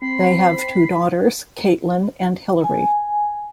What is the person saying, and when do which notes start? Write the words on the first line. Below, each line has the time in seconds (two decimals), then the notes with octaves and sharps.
They have two daughters, Caitlin and Hillary.
0.02 C4 B5 C7
2.64 G#5